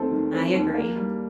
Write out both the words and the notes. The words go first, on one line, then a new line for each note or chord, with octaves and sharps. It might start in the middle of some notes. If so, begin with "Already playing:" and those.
I agree.
Already playing: D#2 D#3 C4 A4 A5
D#3
C4
D#2
A#3
G3